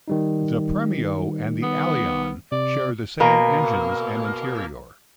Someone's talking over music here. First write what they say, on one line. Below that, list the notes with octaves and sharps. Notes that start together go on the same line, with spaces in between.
The Premio and the Allion share the same engines and interior.
D#3 G3 D#4
B3
C3 D5
B2 A#3